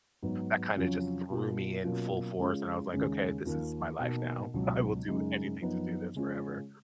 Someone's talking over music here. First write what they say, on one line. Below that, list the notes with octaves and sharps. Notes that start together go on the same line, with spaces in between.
that kinda just threw me in full force, and I was like, "Okay, this is my life now. I will do anything to do this forever."
G#2 F#3 B3 D#4
F2 C#3 F#3 C#4 F4
B2 A#3 F4
B2 F#3 A#3 C#4 F4
C#3 G#3 C#4 F4
D#2 C#3 G#3 C#4
D#2 D#3 A#3 F4
B2 A#3 D#4
C#2 B2 F#3
F#2 C#3 G#3 D#4
F#2 F3 B3 D#4
C#3 G#3 C#4 F4